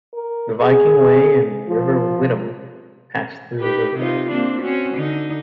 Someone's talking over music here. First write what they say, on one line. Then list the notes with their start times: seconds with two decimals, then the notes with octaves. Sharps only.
The Viking Way and River Witham pass through the village.
0.13 A#4
0.61 G#4
1.68 F3
3.60 D#4 G4 B4
3.95 C3 D#4 F4
4.31 A#3 C4 D4
4.61 C4 C#4 F#4
4.95 D3 D#4